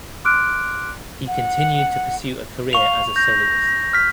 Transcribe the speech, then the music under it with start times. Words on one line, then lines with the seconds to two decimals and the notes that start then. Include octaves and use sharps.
He continued to pursue a career as a soloist.
0.25 C6 D6 F6 F#6 D7
1.27 F#5
2.73 F5 C#6 F7
3.16 G6 A#6
3.93 F6 B6